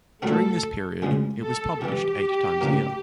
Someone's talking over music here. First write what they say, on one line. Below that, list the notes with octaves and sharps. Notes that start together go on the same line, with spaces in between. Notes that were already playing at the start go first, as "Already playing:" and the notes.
During this period it was published eight times a year.
A#2 F#3 A3 C4 A4
D2 C#3 F3 G#3
A4
C3 E3 G3 G4
D2 C#3 F3 A#3